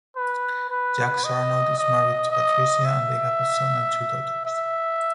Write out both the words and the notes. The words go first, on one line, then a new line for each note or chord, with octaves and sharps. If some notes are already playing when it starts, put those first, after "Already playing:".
Jacques Arnold is married to Patricia, and they have a son and two daughters.
B4
B4
D#5
D#5
D#5
E5
E5